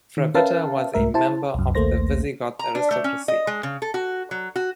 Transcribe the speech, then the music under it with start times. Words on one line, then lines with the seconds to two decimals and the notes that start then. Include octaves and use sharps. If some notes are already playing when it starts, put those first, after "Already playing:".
Fravitta was a member of the Visigoth aristocracy.
0.17 D#3
0.34 C#4 A#4 B4 E5 F5 A5
0.94 C2 G#2 A3 A#4 E5
1.14 E4 C5 A5
1.55 C2 F#2
1.75 A#1 D#2 A3 A#3 C5 A#6
2.59 A#5
2.75 D4
2.91 A3
3.04 C#4
3.28 D#5
3.47 G#3
3.63 C#3
3.82 A4
3.94 F#4
4.31 F#3
4.56 F#4